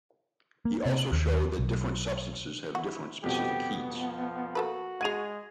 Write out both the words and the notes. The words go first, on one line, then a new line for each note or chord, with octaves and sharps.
He also showed that different substances have different specific heats.
A#3
C3
D#2
B1
E4 F#4
F2 B2 G3 B3 G4
F3
A#3 F#4 A4 B4
G#3 G#4 F#5 G#6 D#7 F7